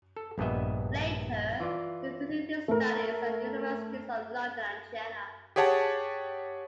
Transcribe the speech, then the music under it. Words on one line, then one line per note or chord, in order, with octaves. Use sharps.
Later, he continued his studies at the Universities of London and Jena.
A4
A#1 G2 B3 D#5 E5
E3 F4 D5
A3 A#4
G4 G#4 C#5 F#5 A5